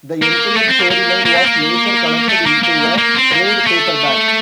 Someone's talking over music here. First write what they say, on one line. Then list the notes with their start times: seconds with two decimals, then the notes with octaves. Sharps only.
The entire storyline was later collected into a trade paperback.
0.22 A#3
0.57 A3
0.68 C4
0.79 A#3
0.91 A#3
1.25 A#3
1.35 C4
1.45 A#3
2.29 A3
2.46 A#3
2.63 A#3
2.98 A#3
3.15 C4
3.32 A#3
3.67 A3